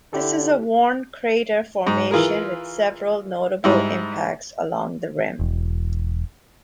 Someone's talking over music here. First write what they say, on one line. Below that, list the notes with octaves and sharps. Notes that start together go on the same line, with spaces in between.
This is a worn crater formation with several notable impacts along the rim.
D3 E4 G4 A4
G#2
E3 F4 G#4 A#4
G#2 G3 E4
E1